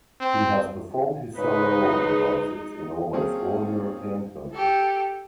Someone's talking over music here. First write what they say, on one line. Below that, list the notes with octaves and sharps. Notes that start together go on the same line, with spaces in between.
He has performed his solo organ concerts in almost all European countries.
C4
G#2 C#3 G#3 D#4 B4
F#3 A#3 C4 C#4 G#4 A4
G4 A4